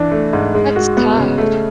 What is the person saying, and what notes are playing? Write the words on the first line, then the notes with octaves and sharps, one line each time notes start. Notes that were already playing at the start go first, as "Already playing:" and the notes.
that's tough.
Already playing: E3 D4
A3
G#2
G#3
F#4
B3
C#3
A3